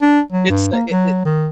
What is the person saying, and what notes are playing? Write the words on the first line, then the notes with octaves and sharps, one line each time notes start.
it's, uh, it it
D4
F#3
G2
A#3
F#3
D#3